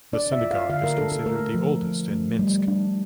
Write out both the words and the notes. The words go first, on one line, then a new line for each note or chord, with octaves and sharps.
The synagogue is considered the oldest in Minsk.
D4 D5
E5
F4
F5
D3 F5
A#4
D4 A4
A4
A3 A#4
F3
F3
A3
G3
D4